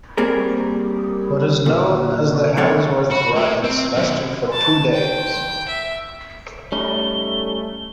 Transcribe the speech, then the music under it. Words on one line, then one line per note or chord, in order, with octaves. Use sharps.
What is now known as the Handsworth Riots lasted for two days.
G3 A#3 C4 G#4 A#4
A#2
D#2 F3 C4 A4 C#5 F#5
F#4
A2
C4
F#2 B2
A5
G5
E5
G3 A3 C#4 D#4 G7